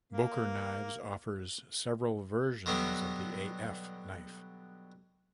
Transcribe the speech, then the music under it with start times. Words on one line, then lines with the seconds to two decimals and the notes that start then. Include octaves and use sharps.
Boker Knives offers several versions of the A-F knife.
0.12 A#3
2.66 B2 D3 F#3 G3 B3